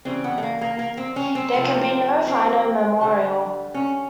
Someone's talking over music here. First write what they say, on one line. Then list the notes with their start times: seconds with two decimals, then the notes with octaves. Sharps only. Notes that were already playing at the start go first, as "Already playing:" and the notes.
There can be no finer memorial.
0.05 C#3 E3 G3 C4
0.24 B3
0.38 A3
0.43 A#3
0.61 A#3
0.79 A#3
0.97 C4
1.16 C#4
1.35 C4
1.53 C3 F3 A3
2.27 C4
3.01 D3 G3
3.74 C#4